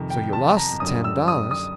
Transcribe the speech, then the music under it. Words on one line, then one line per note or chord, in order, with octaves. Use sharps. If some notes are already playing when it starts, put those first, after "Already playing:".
"So you lost the ten dollars."
Already playing: F2 C3 D#3
G5
A5
A#5
F#2 D3 G3 D#6
E6
D#6
D#6